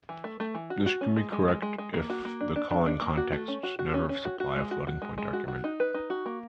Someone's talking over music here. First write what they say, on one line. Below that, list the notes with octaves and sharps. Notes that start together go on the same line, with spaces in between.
This can be correct if the calling contexts never supply a floating point argument.
E3
A3
A3
E3
F#4
F#4
C#4
G#3
G#3
G#3
G#3
G#3
A#3
F#4
A#3
D4
D4
D4
D4
A#3
F#4
A3
C#4
F#4
F#4
C#4
C#4
F#4
F#4
G#3
F#4
F#4
G#3
G#3
F#4
F#4
D#4
B4
D#4
F#4
A#3